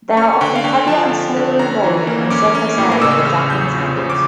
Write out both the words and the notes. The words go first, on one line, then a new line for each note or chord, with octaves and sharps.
They are often heavier and smaller in volume and surface area than Japanese handles.
C#4 C#6
D3 G5
F5
D3 G5
F3 A5
D3
D3
C#4 A#5
E3
A#3
C#4 D6
C#4
A2
D6
C#3 E6
C#3 F6
E2 G6
F3
C#3
D6